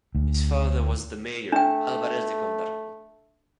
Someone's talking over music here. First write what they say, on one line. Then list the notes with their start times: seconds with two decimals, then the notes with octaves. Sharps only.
His father was the Mayor Álvarez de Condarco.
0.15 D2
1.52 A3 D4 G5